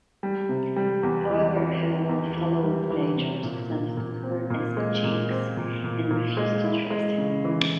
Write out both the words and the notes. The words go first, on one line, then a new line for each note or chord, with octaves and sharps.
However, her fellow villagers misunderstood her as a jinx and refused to trust her.
G3
C3
G3
E2
E3
E3
E3
E2
E3
G3
E3
C3
A#2
A#2
A#2
C4
A#2
G#3
A#2
C4
A#2
A#2
A#2
G#3
E4
G#3
C#3
E3